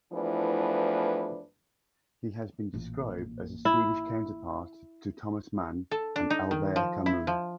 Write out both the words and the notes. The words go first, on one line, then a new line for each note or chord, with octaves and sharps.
He has been described as a Swedish counterpart to Thomas Mann and Albert Camus.
E2 F3 A3 D4 E4 B4
A1 A#2
E4
A4
D4
D#4
D#3
F3
E4
F3